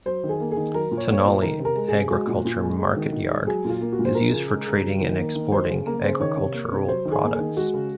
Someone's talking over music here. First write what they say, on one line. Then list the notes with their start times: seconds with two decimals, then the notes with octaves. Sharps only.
"Tenali Agriculture Marketyard" is used for trading and exporting agricultural products.
0.06 F#3 C5
0.24 D#3
0.29 G#4
0.40 A#3
0.52 G#4
0.57 D#3
0.74 F#3 A#4
0.91 A#2
0.97 C#5
1.09 A#3 C#5
1.19 C5
1.26 A#2
1.42 D#3 A#4
1.60 C3 A#4
1.76 G#3
1.88 G#4
1.94 C3
2.10 G#3 F#4
2.27 A#2
2.45 A#2
2.62 G#3
2.78 G#3
2.96 D#3
3.12 D#3
3.29 G#3
3.47 F#3 G#4
3.65 A#2 F4
3.81 A#3
3.92 F#4
3.99 A#2
4.05 C5
4.15 F3 A#4
4.32 C#3
4.49 G#3
4.66 C#3
4.84 F#3
5.01 D#3
5.18 A#3
5.35 D#3
5.52 F#3 C5
5.69 C#3
5.86 A#3 A#4
6.03 C#3 C5
6.20 D#3 C#5
6.37 C3
6.54 A#3
6.72 C3
6.88 F#3 C5
7.05 D#3
7.12 G#4
7.22 A#3
7.34 G#4
7.40 D#3
7.57 G#3 F#4
7.74 C#3